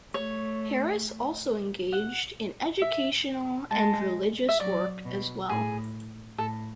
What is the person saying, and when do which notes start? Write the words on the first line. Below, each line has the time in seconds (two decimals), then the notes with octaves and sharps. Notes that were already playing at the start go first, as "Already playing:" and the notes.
Harris also engaged in educational and religious work as well.
0.13 A3 C#5
1.92 F#5
2.82 E5
3.71 G#3 A5
4.49 E5
4.60 F#3 D5
5.05 B2
5.49 A2 G#4
6.38 A2 A4